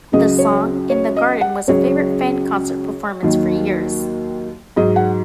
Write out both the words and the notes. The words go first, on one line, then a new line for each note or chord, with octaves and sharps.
The song "In the Garden" was a favorite fan concert performance for years.
C#2 C#3 F#3 D#5
C#5
C#5
D#5
F#5
C#2 C#3 F#3 C#5
D#2 D#3 F#3
G#2 F#3 D#5
F#5